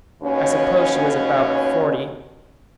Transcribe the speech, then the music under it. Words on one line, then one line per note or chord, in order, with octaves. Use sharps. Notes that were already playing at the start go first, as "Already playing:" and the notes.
I suppose she was about forty.
D#2 B2 C#4